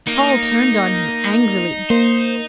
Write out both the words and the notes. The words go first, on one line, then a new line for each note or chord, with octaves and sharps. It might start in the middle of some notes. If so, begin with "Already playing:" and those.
Paul turned on him angrily.
A#3 D#4
A#3 C5